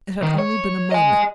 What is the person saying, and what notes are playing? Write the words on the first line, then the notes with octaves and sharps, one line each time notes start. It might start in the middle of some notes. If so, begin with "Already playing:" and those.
It had only been a moment.
D#3
C#5
D#5 G#5